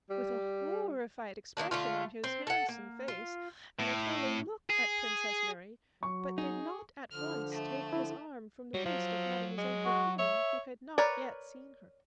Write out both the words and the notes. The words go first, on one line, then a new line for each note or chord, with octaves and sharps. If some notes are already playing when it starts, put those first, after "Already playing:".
With a horrified expression on his handsome face, Anatole looked at Princess Mary, but did not at once take his arm from the waist of Mademoiselle Bourienne who had not yet seen her.
G3
D#3 F3 A#3 D4
D3 A3 F4
C4
A4 F#5
A#3
F4
A2
G#4
F#3 C#6
D#4 G#4
D3 F3 F6
A3
E4
F#3 G3
F3 F#3
G#3
F#4
C#5 E5
A#4 B4 C#5 D5